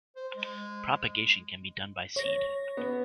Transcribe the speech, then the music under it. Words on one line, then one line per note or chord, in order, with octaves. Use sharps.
Propagation can be done by seed.
C5
G#3
C#5 A#6
B3